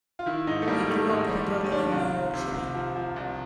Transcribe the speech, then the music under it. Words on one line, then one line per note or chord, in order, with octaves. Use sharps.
He grew up in Brooklyn, New York City.
F4
D#3 E4
G#2 D#4
A3
G3 A#3
D#3 A3
G#2 G#3
G3
A3
G3
C#4
D#3 D4
C#4
C2 F4
C2
C3
C3
F3
F3
C2